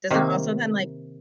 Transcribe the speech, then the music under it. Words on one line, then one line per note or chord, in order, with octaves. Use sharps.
does it also then, like
C3 D#3 A#3